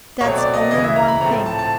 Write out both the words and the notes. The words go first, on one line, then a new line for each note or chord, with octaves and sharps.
That's only one thing.
B2 F#3 A3 C4 C#5
D5
D#5
C#3 E3 G#3 D#5
E5
A#5
B5
A2 F3 A3 C4 A#5
A5
A5